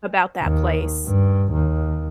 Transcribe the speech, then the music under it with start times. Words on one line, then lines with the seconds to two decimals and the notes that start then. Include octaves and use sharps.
about that place.
0.42 D#2
1.06 G2
1.53 D#2